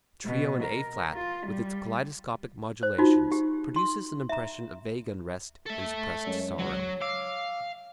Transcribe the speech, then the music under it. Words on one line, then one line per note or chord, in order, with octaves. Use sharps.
The Trio in A flat, with its kaleidoscopic modulations, produces an impression of vague unrest and suppressed sorrow.
B2
A#4
F4
G3
C5
D#4 F4 F#4
G4
C6
E5 A#5
A4 E5
F#2 G#3 C#5
C#2 F#3 F#4
F5 D6 E6 C7